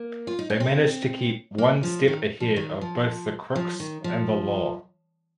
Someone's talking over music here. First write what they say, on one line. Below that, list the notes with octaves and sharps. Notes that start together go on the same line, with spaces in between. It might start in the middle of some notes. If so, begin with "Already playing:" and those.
They manage to keep one step ahead of both the crooks and the law.
Already playing: A#3
F4
D#4
C#4
C4
A#3
F3
D#3
F3
D#3
F3
F3
D#3
F3